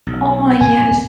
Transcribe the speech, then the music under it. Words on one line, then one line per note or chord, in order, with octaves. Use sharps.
Oh, yes
B1
A2 C4 G#5